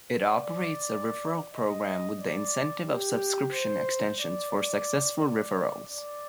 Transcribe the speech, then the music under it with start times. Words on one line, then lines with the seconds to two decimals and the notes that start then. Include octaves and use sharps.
It operates a referral programme, with the incentive of subscription extensions for successful referrals.
0.21 D5
1.54 D#5
2.19 D5
2.86 G4
3.52 C5
4.18 D5
4.52 D5
5.18 D5
5.84 D5